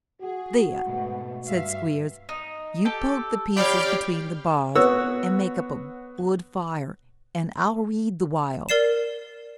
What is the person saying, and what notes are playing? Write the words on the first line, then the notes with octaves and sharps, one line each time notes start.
'There!' said Squeers; 'you poke the pieces between the bars, and make up a good fire, and I'll read the while.
F#4 G#4
G#2 B2 A3
G2 E5 F5
D#4
G4 A4
G4 C#5 D5 F5 G5 B5 F6
B3 F#4 C#5 E6
A#4 D5 C7 E7